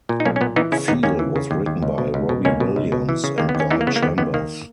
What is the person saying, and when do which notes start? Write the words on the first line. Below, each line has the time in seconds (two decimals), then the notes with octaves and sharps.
"Feel" was written by Robbie Williams and Guy Chambers.
0.09 A#2
0.20 D#4
0.25 B1 A#3 C#4
0.36 C#4
0.41 A#2 B3
0.56 E3 B3 D#4
0.72 C#3 C#4 E4
0.88 D#2 B3 D#4
1.03 D#2 A#3 C#4
1.19 E3
1.36 C#3
1.51 D#2
1.66 D#2
1.82 C#2
1.98 B2
2.14 C#2
2.29 B2
2.45 C#2 A#3 C#4
2.60 B2
2.76 C#2
2.92 B2
3.09 E3
3.24 C#3
3.38 D#2 A#3
3.49 B3
3.55 D#2
3.60 C#4
3.71 E3 B3 D#4
3.81 A#3
3.87 C#3 B3
3.96 A#3
4.02 D#2 B3
4.18 D#2 B3
4.34 D#3 A#3